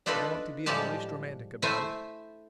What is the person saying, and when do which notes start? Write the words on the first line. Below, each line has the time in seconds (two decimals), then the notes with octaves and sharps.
I don't want to be in the least romantic about it.
0.06 D4 D#4 F4 A4 B4
0.66 A2 F3 G3 G#3 G4 A5
1.62 A3 E4 C5 E5 G#5